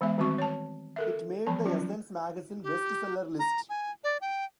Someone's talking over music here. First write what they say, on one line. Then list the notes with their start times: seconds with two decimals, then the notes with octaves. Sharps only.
It made the Essence Magazine bestseller list.
0.01 E3 G#3 B3 E5
0.18 D#3 G3 C4 F#4 C#6
0.38 C#5 A5
0.96 A4 A#4 E5
1.47 E3 F3 B3 A5
1.65 F#3 G3 C#4 F4 D5
2.63 G4
3.39 A#5
3.69 G#5
4.04 D5
4.21 G5